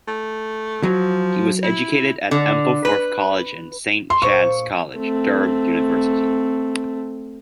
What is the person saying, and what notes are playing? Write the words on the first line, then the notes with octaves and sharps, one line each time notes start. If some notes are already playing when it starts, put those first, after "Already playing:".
He was educated at Ampleforth College and Saint Chad's College, Durham University.
A3
F3 F#3
E4
D3
B4
C6
A#2 C5 C#6
A3 C4